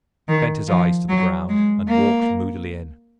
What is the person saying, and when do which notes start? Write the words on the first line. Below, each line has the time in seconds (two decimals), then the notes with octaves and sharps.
He bent his eyes to the ground, and walked moodily in.
0.28 D#3
0.68 F3
1.09 F#3
1.49 G#3
1.89 A#3